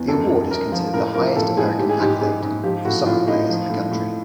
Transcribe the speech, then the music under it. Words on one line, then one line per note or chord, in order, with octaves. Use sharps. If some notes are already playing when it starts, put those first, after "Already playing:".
The award is considered the highest American accolade for soccer players in the country.
Already playing: E2
F#2 A4
F#2
F#2 A#4
F3
A2 A#4
F3 A#4
A2 A4
A2 G#4
G#2 G4
G#4
G#2 G4
G#2 G#4
G#2
F3 G4
A2 F#4
A2 F4
A2 D#4
F3
A2
A2